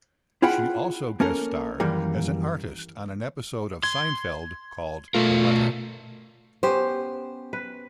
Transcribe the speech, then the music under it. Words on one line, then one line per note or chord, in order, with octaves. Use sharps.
She also guest-starred as an artist on an episode of "Seinfeld" called "The Letter".
E4 F4 G#4 F#5 G5 B5
A#3 C#4 A4 A#4
F#2 D#3 E3 G3 A#3
C6 G#6
B2 A3 F4 A#4
B3 C#4 G4 C5
B4